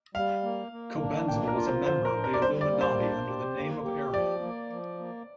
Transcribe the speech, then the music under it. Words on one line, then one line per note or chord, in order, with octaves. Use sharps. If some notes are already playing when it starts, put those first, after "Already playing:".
Cobenzl was a member of the Illuminati under the name of Arrian.
G3 F5
A#3
A#3
D4
A#3 G5
A#4
F4
C5
F3 C5
A#4
D4
A#4
D5
G3 C5
D5
A#3
C5
D4
G4
A#3
G4
F3 D5
A#3
F3
A#3